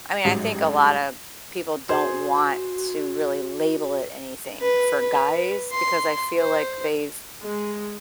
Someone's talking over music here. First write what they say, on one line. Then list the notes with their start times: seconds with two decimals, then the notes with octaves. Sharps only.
I mean, I think a lotta people don't want to really label it anything for guys because I feel like they've,
0.25 A1 G#2 F#3 G3
1.89 F#4 G#4 C5
4.60 B4
4.99 B4
5.72 C6
6.38 C5
7.43 G#3